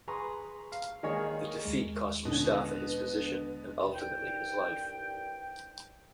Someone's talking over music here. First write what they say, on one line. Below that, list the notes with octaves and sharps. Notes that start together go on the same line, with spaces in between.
The defeat cost Mustafa his position, and ultimately, his life.
G#4 B4 A#5 C6 C#6
F5
D#3 G#3 A#3 D#4 G#4 C#5
D#2 G#3
B2 D3 C#4
B4
C2 G2 D#4 G5